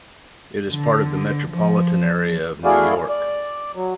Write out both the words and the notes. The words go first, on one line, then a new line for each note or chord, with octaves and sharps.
It is part of the metropolitan area of New York.
D3
F3
A3 E4 F#4 G#4 D5 F5
D5
F#3